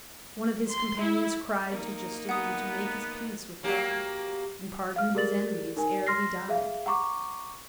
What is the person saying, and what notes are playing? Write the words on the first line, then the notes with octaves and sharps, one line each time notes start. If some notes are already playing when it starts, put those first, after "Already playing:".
One of his companions cried to Justinian to make his peace with God, and pardon his enemies ere he died.
C6
E4
A#3 D#4
B3 F#5 D#6
F#3 A#3 G4
F5 F6
G4 G#4 A#4 D5 A6 F#7
D#4 A#4 G#5
C6 F6 A#6 C7
G#4 E5 F5
F#5 A#5 C#6 D6